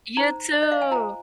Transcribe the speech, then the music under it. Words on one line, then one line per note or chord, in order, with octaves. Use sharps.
You too.
D#4 C5 A#5
D#5
F5
G#5
F4 C5 A#5